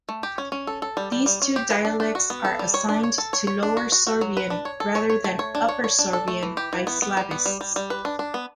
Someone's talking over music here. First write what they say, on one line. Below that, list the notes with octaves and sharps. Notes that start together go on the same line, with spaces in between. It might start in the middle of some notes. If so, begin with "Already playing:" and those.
These two dialects are assigned to Lower Sorbian rather than Upper Sorbian by Slavists.
A3
G4
C#4
C#4
A4
A4
G3
G3
G3
C#4
G4
B4
D4
D4
F#4
B3
A4
G3
C#5
D4
C#5
A4
C#5
C#5
D4
F#4
F#4
F#4
F#3
B4
D4
C#5
A4
C#5
C#5
A3
C#5
D4
C#5
C#5
D4
A4
A3
E3
G4
E3
B3
B3
G3
B3
G3
G3
G3
B4
D4
D4
B3